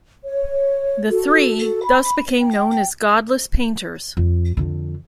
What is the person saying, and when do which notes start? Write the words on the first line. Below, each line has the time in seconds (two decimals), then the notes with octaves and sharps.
The three thus became known as "godless painters".
0.24 C#5
1.10 F#4 A4
1.85 B5
2.41 G5
4.17 F2
4.57 F2 D3